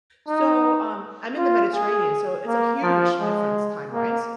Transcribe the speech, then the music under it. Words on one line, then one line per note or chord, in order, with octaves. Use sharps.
So, um, I'm in the Mediterranean, so it's a huge difference time-wise,
D#4
F4
G#4
A#3
F3
G#3
A#3